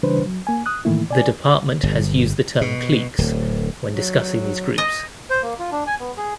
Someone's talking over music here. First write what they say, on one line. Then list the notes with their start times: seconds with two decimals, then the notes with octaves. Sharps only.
The department has used the term "cliques" when discussing these groups.
0.03 C#3 E3 G3 D4 B4 C5
0.26 F#3
0.47 A#3 G#5
0.66 D#6 F#6
0.85 A2 D#3 E3 A3 A#3 E4
1.11 D5 G#5
1.83 G1
2.61 B2
3.18 D1
3.91 F#3
4.78 D#5
5.30 C5
5.42 A#3
5.59 F4
5.72 D4
5.87 G#5
6.00 B3
6.17 G#4